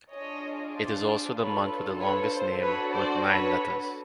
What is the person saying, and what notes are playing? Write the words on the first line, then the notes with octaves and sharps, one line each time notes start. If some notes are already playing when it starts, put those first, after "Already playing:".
It is also the month with the longest name with nine letters.
D4 F4 G#4 C#5 D#5
C5 D5
D4 F4 A4 B4 C#5
B4 C#5
C5
D4 F#4 A4 B4 C#5
C5 D5
B4 C#5